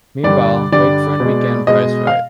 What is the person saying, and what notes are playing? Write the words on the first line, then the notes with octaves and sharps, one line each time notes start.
Meanwhile, Wakefern began PriceRite.
G2 D3 G3 D5
G2 D3 G3 D5
B2 G#3
B2 G#3 D#5
F5